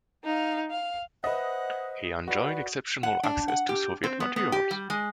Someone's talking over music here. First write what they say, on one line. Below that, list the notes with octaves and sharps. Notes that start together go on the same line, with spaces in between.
He enjoyed exceptional access to Soviet materials.
D#4 F5
F5
B4 C5 D#5 E5 F#5
F#4 B4 D5
F#5
D4
F#5
G4
C4
B3
B3
G4
G3
G#3